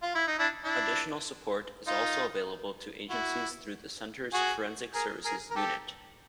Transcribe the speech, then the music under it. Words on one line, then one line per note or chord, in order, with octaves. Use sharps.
Additional support is also available to agencies through the Center's Forensic Services Unit.
F4
E4
D#4
D4 E4
D4 E4
D#4 F4
E4 F#4
F#4 G#4
G#4 A#4
G#4 A#4
A#4
G4 A4